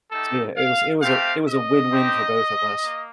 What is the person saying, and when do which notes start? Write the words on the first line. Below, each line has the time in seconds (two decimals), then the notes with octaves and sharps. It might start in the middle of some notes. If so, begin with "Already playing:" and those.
yeah, it was it was a it was a win-win for both of us
0.12 A3 D#4 G4 A4
0.57 F5
1.02 A3 C4 G4 F5
1.47 D#5
1.92 C4 D#4 G4
2.83 A#3